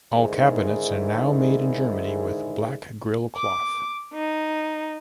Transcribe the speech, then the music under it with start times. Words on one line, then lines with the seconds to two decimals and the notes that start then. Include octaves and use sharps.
All cabinets are now made in Germany with black grill cloth.
0.14 G#2 D3 D#3 E4 G#4
3.36 D6
4.13 D#4